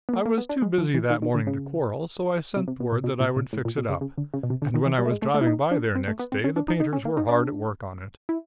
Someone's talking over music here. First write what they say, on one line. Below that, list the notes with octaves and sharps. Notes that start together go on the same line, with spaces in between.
I was too busy that morning to quarrel, so I sent word that I would fix it up; and when I was driving by there next day the painters were hard at work on it.
B3
A#3
A#3
B3
D4
G#3
F3
E3
D#3
D#3
D3
C#3
C3
C3
B2
A#2
B2
A#2
A#2
A2
A#2
B2
C#3
C#3
D3
C#3
B2
C3
D3
D#3
E3
G3
A3
G#3
A3
A3
E4
D#4
D4
C4
A3
B3
C4
C#4
D4
D#4
D#4
C#4
A#3
D#4
D4
E4